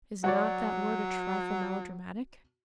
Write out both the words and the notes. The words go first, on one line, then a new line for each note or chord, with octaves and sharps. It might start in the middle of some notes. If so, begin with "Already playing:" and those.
"Is not that word a trifle melodramatic?"
F#3 F#4 C#5 D5